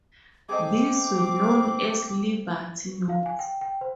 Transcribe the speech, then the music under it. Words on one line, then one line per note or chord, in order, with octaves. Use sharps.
These were known as "Liberty" notes.
C4 G#4 A4 D#5 D6
F5
G#5
G5
G5
C5